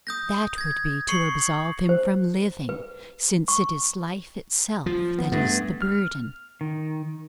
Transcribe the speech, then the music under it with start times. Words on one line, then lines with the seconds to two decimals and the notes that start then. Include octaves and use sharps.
That would be to absolve him from living, since it is life itself that is the burden.
0.07 D#6 G6 A#6
0.58 G#6 A#6
1.08 C#6 C7 C#7 F#7
1.89 C5
2.69 B4
3.48 C#6
4.86 F3
5.19 B3
5.32 G2 A3 B3
5.82 F6
6.61 D#3